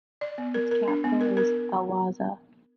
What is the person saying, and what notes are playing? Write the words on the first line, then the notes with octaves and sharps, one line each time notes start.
Its capital is Awasa.
D5
B3
A#4
A#4
D4
B3
A#4
A#4